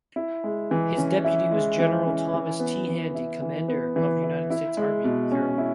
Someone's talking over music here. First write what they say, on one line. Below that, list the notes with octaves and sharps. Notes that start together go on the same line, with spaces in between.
His deputy was General Thomas T. Handy, commander of United States Army, Europe.
E4
G#3
E3
C#4
E4
G#3
E3
C#4
E3
B3
E3
E4
E3
B3
E3
E4
E4
G#3
B2
C#4
E4